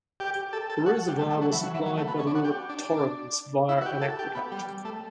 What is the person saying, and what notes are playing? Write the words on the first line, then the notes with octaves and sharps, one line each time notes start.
The reservoir was supplied by the River Torrens via an aqueduct.
G4
A4
A4
F#4
G3
A3
A3
F#3
E3
F#3
E3
F#3
A3
B3
C#4
D4
F#4
G4
D4
D4
E4
F#4
G4
A4
G4
B3
G3
A3